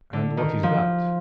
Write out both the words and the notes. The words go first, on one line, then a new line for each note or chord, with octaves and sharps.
"And what is that?"
D3
D#3
F3